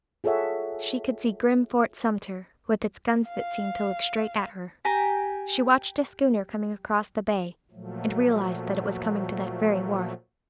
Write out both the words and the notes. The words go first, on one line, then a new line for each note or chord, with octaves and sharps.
She could see grim Fort Sumter, with its guns that seemed to look straight at her. She watched a schooner coming across the bay, and realized that it was coming to that very wharf.
F4 G#4 A4 C#5 E5 F#5
F5
G4 G#5 A#5
A#2 F3 F#3 A3